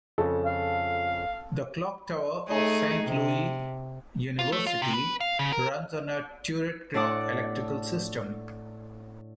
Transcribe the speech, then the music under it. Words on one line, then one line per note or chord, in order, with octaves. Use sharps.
The Clock Tower of Saint Louis University runs on a turret clock electrical system.
F2 C#3 A4
F5
A3 D#4 G#4
C3
F4
A3
F4
C3
B4
F5
C#3
A#4
A2 D4 A4 D5 F#5 D6